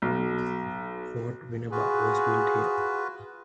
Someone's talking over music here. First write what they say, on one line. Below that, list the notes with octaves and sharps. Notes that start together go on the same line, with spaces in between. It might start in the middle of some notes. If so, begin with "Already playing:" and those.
Fort Winneba was built here.
B1
F4 F#4 G#4 B4